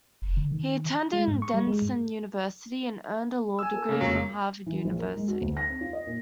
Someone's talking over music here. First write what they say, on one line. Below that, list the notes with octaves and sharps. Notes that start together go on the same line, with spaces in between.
He attended Denison University, and earned a law degree from Harvard University.
F1
D3
D#3
G#3
G#2
C#6
G3
G#3
G#2
G#5 E6
A4 A#4
C#3 A#3
F1 F2 F#3 G#3
E3
A#1
A#4
G#3
F#4
D2
A#6
C4
F4
D#5
A#2